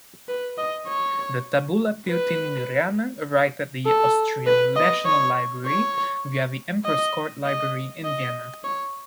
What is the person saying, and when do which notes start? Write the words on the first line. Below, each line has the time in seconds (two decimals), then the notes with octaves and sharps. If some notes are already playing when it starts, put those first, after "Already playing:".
The "Tabula Peutingeriana" arrived at the Austrian National Library via the Emperor's Court Library in Vienna.
0.29 B4
0.58 D#5
0.88 C#5
2.07 B4
3.87 A4
4.46 B4
4.76 D#5
5.06 C#5
5.66 C#5
6.85 D#5
7.45 D#5
8.05 D#5
8.64 C#5